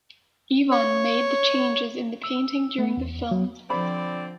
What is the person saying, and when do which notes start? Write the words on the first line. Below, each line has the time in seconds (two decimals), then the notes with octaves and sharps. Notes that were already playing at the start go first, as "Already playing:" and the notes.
Ivan made the changes in the painting during the film.
0.72 C#5
2.24 E6
2.78 A3
2.97 E2
3.31 F#3
3.70 D3 F3 C4 D5 B5